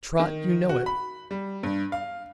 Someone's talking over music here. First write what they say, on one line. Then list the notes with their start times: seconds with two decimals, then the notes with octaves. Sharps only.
Trot, you know it.'
0.20 D#3
0.69 F#4
0.86 B5
1.31 G3
1.63 G2
1.92 F5